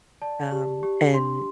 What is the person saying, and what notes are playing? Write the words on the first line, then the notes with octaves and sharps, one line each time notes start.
um, and
D5 A5
G4
G4
D4 C6